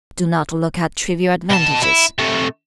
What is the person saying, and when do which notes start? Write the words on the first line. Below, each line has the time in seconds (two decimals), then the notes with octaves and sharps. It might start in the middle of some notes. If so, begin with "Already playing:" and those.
Do not look at trivial advantages.
1.50 B2 A5
1.83 E4
2.19 C3 A3